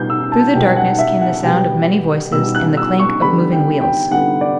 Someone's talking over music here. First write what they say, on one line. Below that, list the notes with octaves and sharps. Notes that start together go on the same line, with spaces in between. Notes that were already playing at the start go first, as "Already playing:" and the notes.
Through the darkness came the sound of many voices and the clank of moving wheels.
Already playing: B2 G3 B3 G6
E6
A5
B2 G3 B3 G5
F#5
E5
F#5
B2 G3 B3 G5
B2 G3 B3 E6
F#6
E6
C#6
D3 G3 B3 B5
G5
G5
D3 G3 B3 F#5
D5